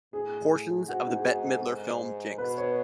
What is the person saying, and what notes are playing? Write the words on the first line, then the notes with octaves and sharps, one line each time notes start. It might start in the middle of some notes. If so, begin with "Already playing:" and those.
Portions of the Bette Midler film Jinxed!
A2 G#4
G#2 F#4
D#4
G#4
F#4
A4
G#2
B2 B4
C#5